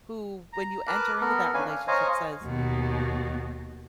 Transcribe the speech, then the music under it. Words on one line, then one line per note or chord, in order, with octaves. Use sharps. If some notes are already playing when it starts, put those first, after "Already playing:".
who, when you enter into that relationship says
A#5
A#4 B4 A5 D6 F#6
B3 A4 A#4
C#4 D4 B4 F5 G#5
F5
C5 C#5 D#5 F5 G#5 A#5
D#2 B2